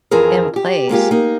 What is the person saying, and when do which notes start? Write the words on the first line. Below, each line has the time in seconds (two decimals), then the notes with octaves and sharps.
in place
0.11 F2 E3 F3 C4 G#4 A#4
0.56 G4
0.89 G#3 A#3 F4 G4
1.11 A#3 D#4